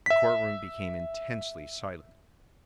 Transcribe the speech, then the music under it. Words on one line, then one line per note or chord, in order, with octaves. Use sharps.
The courtroom became intensely silent.
E5 B6